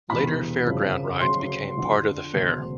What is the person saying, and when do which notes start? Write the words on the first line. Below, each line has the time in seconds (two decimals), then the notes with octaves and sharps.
Later fairground rides became part of the fair.
0.10 E1 E2 C3 B5
0.66 G1 F2 C#3 F#3
1.21 D2 C#3 F#3 C6
1.77 F2 D3 F3
2.33 E1 D2 C#3